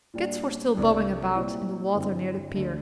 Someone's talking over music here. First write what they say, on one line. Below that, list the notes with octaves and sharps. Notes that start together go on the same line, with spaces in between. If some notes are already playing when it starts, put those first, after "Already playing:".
Kit's were still bobbing about in the water near the pier.
A#2 G3 D4
C2 C3 G3 D4
A#2 G3 C4 E4
G2 D3 G3 C4 E4
D2 D3 A3 D4